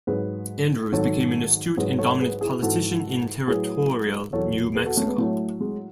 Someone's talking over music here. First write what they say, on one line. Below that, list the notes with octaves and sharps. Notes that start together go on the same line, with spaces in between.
Andrews became an astute and dominant politician in territorial New Mexico.
G#2 F#3 G#4 B4
G#2 D#3 F#3 A4 C#5
G#2 F#3 G#4 B4
A4 C#5
G#4 B4
E4 G#4
G#2 E3 F#4 A4
A2 F#3 G#4 B4
E2 B2 F#3 A4 C#5
G#4 B4
F#4 A4
A3 C#4
G#3 B3
A2 F#3 A3
G#3